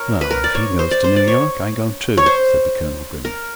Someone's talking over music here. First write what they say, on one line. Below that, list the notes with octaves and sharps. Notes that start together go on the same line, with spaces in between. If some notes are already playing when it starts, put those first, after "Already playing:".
"Well, if he goes to New York I go too!" said the colonel grimly.
Already playing: A#4 C#5
B4
A#4
D5
C#5
C5
D5
C5
D5
C#5
C#5
C5
A#4